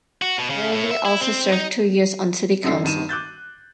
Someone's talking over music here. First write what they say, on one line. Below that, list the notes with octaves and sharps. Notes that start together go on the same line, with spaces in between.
Reilly also served two years on city council.
F#4
B2
C#3
A2
E5
E4
C4
D#4
F#2 D3 D#4 A4 D5 C7
G2 D#3 D#7 E7
D6 F#6 G6 A6